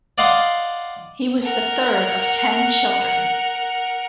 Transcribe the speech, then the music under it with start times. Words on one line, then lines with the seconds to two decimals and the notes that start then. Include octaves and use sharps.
He was the third of ten children.
0.18 D5 D#5 F5 F#5 C6
1.43 A#4 F#5